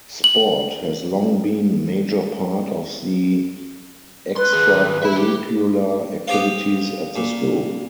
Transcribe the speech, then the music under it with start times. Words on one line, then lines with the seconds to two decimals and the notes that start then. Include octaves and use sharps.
Sport has long been major part of the extracurricular activities at the school.
0.24 F#7
4.37 B4 C6
4.54 D#2 G#4
5.03 E5 B5
5.16 G4
6.28 B3 G4 C5 F5
7.16 A#2